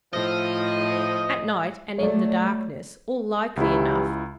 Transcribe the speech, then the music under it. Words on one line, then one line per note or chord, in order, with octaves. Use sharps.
At night and in the darkness, all likely enough.
A2 F3 D#5
F#3 A3 C#5 D5
C#2 E3 F#3 E4 G4